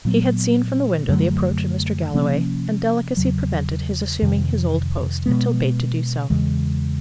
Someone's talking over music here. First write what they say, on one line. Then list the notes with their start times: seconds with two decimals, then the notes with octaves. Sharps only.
He had seen from the window the approach of Mr. Galloway, and delicacy prevented his assuming his old post until bade to do so.
0.05 A#2 F#3 B3
1.09 F#2 D3 F#3 A3
2.13 C3 F3 A#3 C#4
3.17 E2 C#3 F#3
4.22 F2 C3 D#3
5.26 B2 G#3 B3
6.30 E2 C#3 E3 G#3